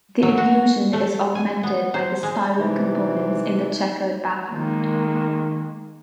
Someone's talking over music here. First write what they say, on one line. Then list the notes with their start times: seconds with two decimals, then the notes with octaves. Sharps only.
The illusion is augmented by the spiral components in the checkered background.
0.22 F#3
0.38 F#4
0.93 A3
1.35 G#5
1.63 B3
1.94 C5
2.23 G#3
2.58 C3 E3 D#4
4.48 D#3 G#3 A#3